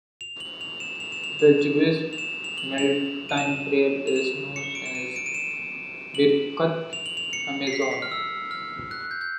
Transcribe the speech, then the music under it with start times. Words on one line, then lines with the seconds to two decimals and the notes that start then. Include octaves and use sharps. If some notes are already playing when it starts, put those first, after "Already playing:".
The Jewish mealtime prayer is known as Birkat Hamazon.
0.21 F7
0.40 F#7
0.61 F7
0.80 E7
1.00 F7
1.12 E7
1.24 F7
1.39 E7
1.59 E7
2.13 F7
2.18 E7
2.44 F7
2.58 F#7
2.78 F7
3.29 D#7
3.37 E7
4.07 F7
4.16 E7
4.56 C#7
4.75 D7
4.86 E7
4.95 D#7
5.16 D7
5.26 D#7
5.34 E7
6.15 F#7
6.93 F7
7.06 F#7
7.17 F7
7.33 C#7
7.67 C7
7.73 B6
7.82 C7
7.91 B6
8.02 F6
8.11 E6
8.51 F6
8.91 F#6
9.11 G6
9.21 G6